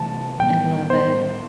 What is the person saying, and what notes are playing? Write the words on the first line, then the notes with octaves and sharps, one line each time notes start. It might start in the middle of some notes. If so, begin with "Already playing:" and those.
I love it.
Already playing: C3 E3 A3 A5
A2 G3 B3 G5
A2 G3 B3 C5